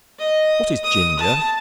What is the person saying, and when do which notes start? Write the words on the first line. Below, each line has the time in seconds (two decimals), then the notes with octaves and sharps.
What is Ginger?
0.19 D#5
0.83 D#6
1.19 A5